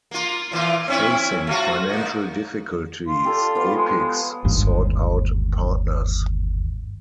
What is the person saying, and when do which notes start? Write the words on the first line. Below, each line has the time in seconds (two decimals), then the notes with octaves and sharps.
Facing financial difficulties, Epyx sought out partners.
0.11 A#3 F4
0.52 A#2 E3 F4
0.88 C4 C#4 E4
1.47 A3 F4 F#4
1.89 A#3 D#4
3.08 F4
3.25 G4 A4 D5
3.55 F3 B3 C#5
3.76 G#3
4.45 G1 D#2 G#2